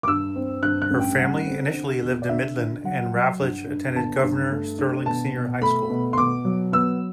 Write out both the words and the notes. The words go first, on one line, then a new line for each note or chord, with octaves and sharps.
Her family initially lived in Midland, and Ravlich attended Governor Stirling Senior High School.
D6
G2 E6
C4
G2 F#6
F#6
A1
G5
G3 F#5
C4
D3
E2
D5
D3 E5
D3
F#3 F#5
F#3
G2
G2
G1 A5
G2
A3
D4
B2 A5
B2
A3 B5
B2
C6
B2 D6
F#3
B3 E6